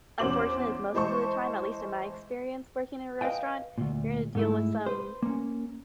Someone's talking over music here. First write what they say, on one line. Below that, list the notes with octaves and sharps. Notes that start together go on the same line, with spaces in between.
Unfortunately, like, most of the time, at least in my experience working in a restaurant, you're gonna deal with some
E2 C#4 F#4 C5 D6 F#7
E3 G#3 C5 A5 C#6
B4 D#5 F5 G5 G#5
D2 A#2
G#2 A3 E4
B4 C5
A#3 C#4